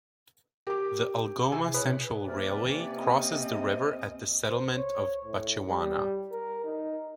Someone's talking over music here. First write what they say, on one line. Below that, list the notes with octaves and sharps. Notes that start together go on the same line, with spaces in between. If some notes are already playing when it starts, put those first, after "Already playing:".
The Algoma Central Railway crosses the river at the settlement of Batchewana.
G4 A#4 D6
C3 E4 G#4 G#5
B2 B4 C#5
C3 A#3 C#4 B4 D5
C4 D#5
C5
C#5
A2
G3
A#4
D#4